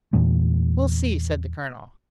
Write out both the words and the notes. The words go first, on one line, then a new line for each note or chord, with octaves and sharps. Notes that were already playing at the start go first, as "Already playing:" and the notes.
"We'll see," said the colonel.
E2 A#2 E3 A3